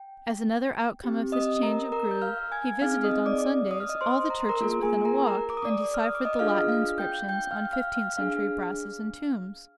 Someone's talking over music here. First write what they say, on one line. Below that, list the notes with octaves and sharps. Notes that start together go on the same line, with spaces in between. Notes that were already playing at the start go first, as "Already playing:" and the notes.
As another outcome of this change of groove he visited on Sundays all the churches within a walk, and deciphered the Latin inscriptions on fifteenth-century brasses and tombs.
Already playing: G5
C4 G4
D#5 D#6
A#4 A#5
A#4 A#5
G6
F5 F6
G#5 G#6
C4 D#4 G#4 F5 F6
D#5 D#6
D5 D6
D#6
F6
D#5 D#6
C5 C6
A#5
C6
A#4 A#5
A#3 F4 G#4
G#4 G#5
A#4 A#5
A#4 A#5
D6
D#6
D5 D6
F6
D#6
D6
D#5 D#6
D4 F4 G#4 F5 F6
F5 F6
G5 G6
G5 G6
F5 F6
F5 F6
F5 F6
D4 G#4 F5 F6